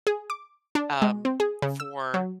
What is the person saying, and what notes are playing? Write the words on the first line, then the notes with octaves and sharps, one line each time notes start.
um, for
G#4
D6
D4
G#3
C4
G#4
C#3
E6
F#3